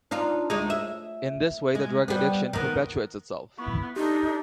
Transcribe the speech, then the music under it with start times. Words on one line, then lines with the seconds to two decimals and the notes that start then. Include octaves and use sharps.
In this way the drug addiction perpetuates itself.
0.11 D4 D#4 F4
0.50 D2 G#3 D#4
0.70 E5
1.75 G#3
2.08 G3 B3
2.53 D#3 B3
3.59 B3 E4 C#6
3.96 D4 D#4 G4 A4